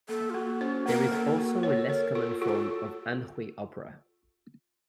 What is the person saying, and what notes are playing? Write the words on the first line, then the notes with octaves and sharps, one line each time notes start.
There is also a less common form of Anhui opera.
A#3 A4
F4
A#3 F#4
C#4 C5
A#3 A#4
A#3 A4
A#3 F#4
A4 C#5
A#4 C#5
F4 A4
F4 F#4
A4